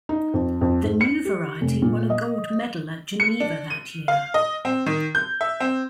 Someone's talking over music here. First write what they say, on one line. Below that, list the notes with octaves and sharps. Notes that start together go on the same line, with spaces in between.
The new variety won a gold medal at Geneva that year.
D#4
F2
F2
G#2
C#7
G4
F1
A#2
D#5
C#7
D4
D#7
F5
D#5
C4
D#3
G6
E5
C4